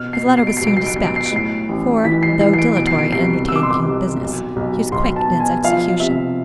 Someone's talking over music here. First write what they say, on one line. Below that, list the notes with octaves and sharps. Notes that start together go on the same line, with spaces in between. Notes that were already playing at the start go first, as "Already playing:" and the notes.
His letter was soon dispatched; for, though dilatory in undertaking business, he was quick in its execution.
Already playing: B2 F6
C7
B2
C7
D7
B1 C7
D7
C7
D7
B1 C7
D7
C7
D7
A2 C7
A1
E3 B6
C7
E3 C7
C7
D7
B2 D7
C7
D7
C2 C7
C2 E6
D6
C6
D6
C2
B1
B1
B1 C6
A5
B2
G#5
F3 F5
C3 E5